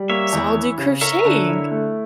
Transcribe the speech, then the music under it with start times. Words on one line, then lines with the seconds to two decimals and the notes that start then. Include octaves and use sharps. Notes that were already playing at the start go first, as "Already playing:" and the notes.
so I'll do crocheting."
Already playing: G3
0.09 A#3 C#5 E5
0.32 E2
0.56 E3
0.78 C#3
1.01 A#4 C#5 E5
1.25 D3
1.48 E4
1.71 A3